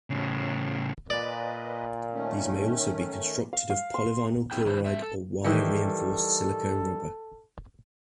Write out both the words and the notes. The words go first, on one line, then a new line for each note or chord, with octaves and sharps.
These may also be constructed of polyvinyl chloride or wire-reinforced silicone rubber.
A2 C#3
A#2 B4 D5 D#5
D#3 A3 C#4
F5
F5
C6
C4 E4 G#4 G5
D#3 E4 B4 C5
A3 C4 E5
A4
D#3 E3 G3 A4